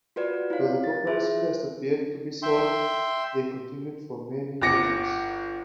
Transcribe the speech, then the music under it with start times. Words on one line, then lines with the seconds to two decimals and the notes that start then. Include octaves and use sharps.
Though the problems first appeared to be solved, they continued for many users.
0.16 F4 F#4 B4 D5
0.50 E4 F4 C#5 F5
0.84 A6
1.07 E4 F4 G#4 C5 E5
2.43 E5 G5 C6
4.61 G1 D6 A#6 C#7